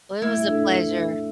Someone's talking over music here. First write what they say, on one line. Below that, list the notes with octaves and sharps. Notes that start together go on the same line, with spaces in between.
Oh, it was a pleasure.
A3 E4
D4 A4